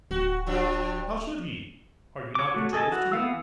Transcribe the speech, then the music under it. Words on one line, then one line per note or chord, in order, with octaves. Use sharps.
How should he? Are you not betrothed to him?
D1 F#4
G2 F3 D4
C#5 D6
A3 F#4
G#4 A4 D#5 G#5 A5
E3 F#4
E3 B3 F5 E6